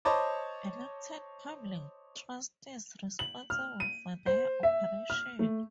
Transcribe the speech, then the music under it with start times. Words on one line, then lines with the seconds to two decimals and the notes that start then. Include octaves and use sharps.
Elected public trustees responsible for their operation.
0.05 C5 C#5 D#5 A5 B5 D6
3.19 F#7
3.50 F6
3.80 D#7
4.26 C5
4.63 E5
5.10 F6
5.39 A3